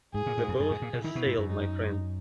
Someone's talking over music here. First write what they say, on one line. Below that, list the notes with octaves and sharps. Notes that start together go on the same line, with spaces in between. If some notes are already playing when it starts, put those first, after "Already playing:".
That boat has sailed, my friend.
G#2 G#4
A#2
G#2
E2
F#2 G#4
G#2
A#2
B2
D#3 E4
B2
G#2
F#2
D#4